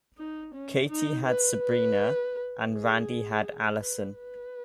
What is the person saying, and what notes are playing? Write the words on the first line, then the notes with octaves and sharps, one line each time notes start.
Katie had Sabrina, and Randy had Allison.
D#4
C#4
D#4
B4
B4
G#4
B4
B4